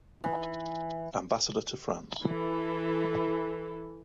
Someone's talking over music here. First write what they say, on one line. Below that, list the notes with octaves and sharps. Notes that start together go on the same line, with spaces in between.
Ambassador to France.
E3
E3 A4